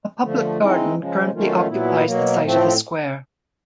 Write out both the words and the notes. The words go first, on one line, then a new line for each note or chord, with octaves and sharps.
A public garden currently occupies the site of the square.
D3 F3 A3
E3 G#3 C4 D#4
C#3 F3 G#3
D#3 F#3 A3 C#4 F4
A#2 F#3 B3 E4
B2 F#3 A#3
A2 F3 A3 C4